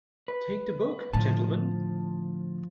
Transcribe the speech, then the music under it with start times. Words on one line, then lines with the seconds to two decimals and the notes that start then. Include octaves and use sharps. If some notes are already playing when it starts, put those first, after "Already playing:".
Take the book, gentlemen.
0.28 B4
1.13 A2 D3 F3 A5